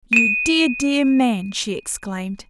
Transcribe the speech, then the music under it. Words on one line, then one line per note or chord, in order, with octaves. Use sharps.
"You dear, dear man!" she exclaimed.
D#7 E7